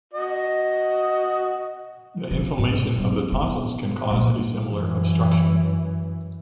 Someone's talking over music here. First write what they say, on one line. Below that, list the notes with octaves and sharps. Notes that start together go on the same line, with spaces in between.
The inflammation of the tonsils can cause a similar obstruction.
F#4 D#5
F3
G#2
F#3 C4
B3
A#1
F#2 E3